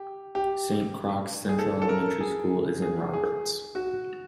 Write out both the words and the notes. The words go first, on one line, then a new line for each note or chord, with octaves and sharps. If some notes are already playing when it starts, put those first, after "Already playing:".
Saint Croix Central Elementary School is in Roberts.
Already playing: G4
G4
G#4
A4
A4
A#4
G#4
G#4
G#4
F#4